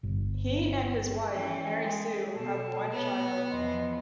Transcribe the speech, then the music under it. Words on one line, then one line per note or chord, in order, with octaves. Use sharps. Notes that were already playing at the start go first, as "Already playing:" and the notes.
He and his wife Mary Sue have one child.
G1
E3 C#4 G5 G#5
G#3
B2 A4 A5
B3 C#5
E2 F3 D#5 C6